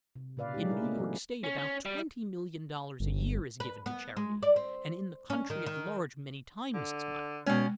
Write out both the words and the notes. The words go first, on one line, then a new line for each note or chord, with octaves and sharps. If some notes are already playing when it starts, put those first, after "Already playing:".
In New York state about twenty million dollars a year is given to charity, and in the country at large many times as much.
C3
A#2 C#3 B4 D5 F5
G#3 C#4 D#4 G4
D4 E4 A#4 B4
A3 B3 C#4
E3 F#3 B3 C4
C#4
C#4
G3
G1
B4
B3
G#3
D5
C4
C#4
D#3
D#3
D3
B2 G#3 C#4